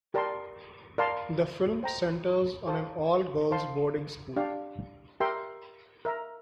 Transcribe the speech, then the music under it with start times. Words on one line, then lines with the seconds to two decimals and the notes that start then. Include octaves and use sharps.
The film centers on an all-girls boarding school.
0.14 G4 A#4 D5 A5 C6
0.98 A#4 D5 F5 A5 C6
1.83 C5 G5 A#5
2.67 A4 C5 F5 A5
3.51 C5 F5 A5 C6
4.36 D4 G4 D5 F5
5.20 G4 A#4 E5 G5 C6
6.05 A#4 E5 A#5